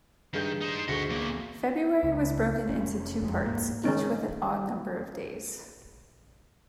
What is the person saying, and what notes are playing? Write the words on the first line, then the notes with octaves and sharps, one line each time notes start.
February was broken into two parts, each with an odd number of days.
G2 D#3 G#4 G6
D#4 C5
D2 G#4 D#5 F#5 C#6
E2 A#3
C#2
F1 C#4
F#1 F2 D3 G#3
D#1 B1 G#2 A#3
D#3 G#3 C#4 D#4